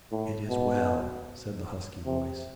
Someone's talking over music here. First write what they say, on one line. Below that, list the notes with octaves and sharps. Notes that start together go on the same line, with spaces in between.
"It is well!" said the husky voice.
A2
B2
C3